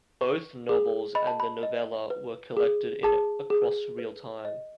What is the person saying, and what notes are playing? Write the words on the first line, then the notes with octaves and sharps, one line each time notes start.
Both novels and the novella were collected in "Across Realtime".
B4 C#6
G#4
D#5 B5
A5
B5
D#5
B4
G#4
G#4 A5
G#4
B4
D#5